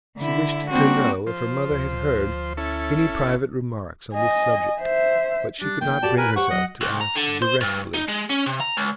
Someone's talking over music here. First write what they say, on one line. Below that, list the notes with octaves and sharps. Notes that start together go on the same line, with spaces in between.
She wished to know if her mother had heard any private remarks on this subject, but she could not bring herself to ask directly.
D3 E4
G3 A#3 C4 D4 F#4
F3 C5
D2
C#4 E4 A4
G#1
D#5 G#5
C5 E5
G3 D4
D#3 A#3 G5
F#4 G4 A4 D5 A5
A#4 B4 G#5
G4 C5 C#5 F#5 C#6
F#3 D#5
C2
A#5
D3
C5
G2
D#4
G#3
C#4
C3
A#5
C#2